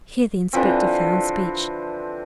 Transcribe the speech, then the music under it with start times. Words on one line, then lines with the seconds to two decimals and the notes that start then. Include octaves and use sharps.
Here the inspector found speech.
0.53 D3 E3 F3 C4